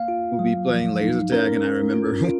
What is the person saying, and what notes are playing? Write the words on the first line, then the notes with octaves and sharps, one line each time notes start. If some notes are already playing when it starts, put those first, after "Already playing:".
we'll be playing laser tag, and I remember
Already playing: A#3 F5
F4
F#3
F3
D#4
C#4 A#4
C#4
F4
F4